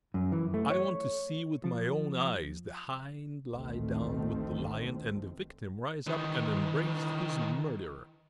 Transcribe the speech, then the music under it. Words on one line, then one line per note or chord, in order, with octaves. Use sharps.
I want to see with my own eyes the hind lie down with the lion and the victim rise up and embrace his murderer.
F#2
E3
A3
C#5
F3
A1 D2 D#3 A3 C4
D#3 E3